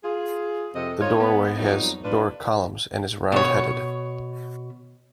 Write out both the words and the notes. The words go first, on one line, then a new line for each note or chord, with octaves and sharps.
The doorway has Doric columns and is round-headed.
F4 G#4
F2 C3 C4 A4 D#5
D#4 F4 C5 C#5
B3
F2 F#3 G3 B3 D#4
D4 F4 B4
B2 C#5